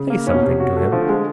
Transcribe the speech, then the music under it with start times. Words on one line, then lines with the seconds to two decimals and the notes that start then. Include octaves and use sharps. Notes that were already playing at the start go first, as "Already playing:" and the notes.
Say something to him.
Already playing: C#3
0.10 A#3
0.27 C#4
0.34 B2
0.43 C3 C#4
0.60 F#4
0.77 A3
0.92 D3 F3
1.09 G#3